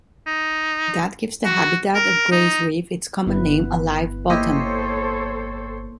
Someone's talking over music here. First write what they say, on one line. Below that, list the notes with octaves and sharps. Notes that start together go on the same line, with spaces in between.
That gives the habitat of Gray's Reef its common name - a "live bottom".
D#4
F#4
A#4
D#4
G1 B3 E4 B4
A#3 E4 G4 A4 C5 C#5 D#5